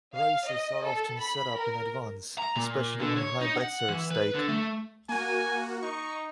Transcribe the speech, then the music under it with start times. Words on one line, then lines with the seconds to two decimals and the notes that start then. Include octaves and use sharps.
Races are often set up in advance, especially when high bets are at stake.
0.14 F5
0.46 D#5
0.83 A4
1.19 B5
1.56 A#4
2.38 A#5
2.56 A#2
3.00 D3
3.17 C#5
3.41 D#4
3.56 F#5
3.88 E3
4.11 B4
4.35 D3
4.48 A3
5.09 A#3 F#4 G#5
5.82 D#4 C#6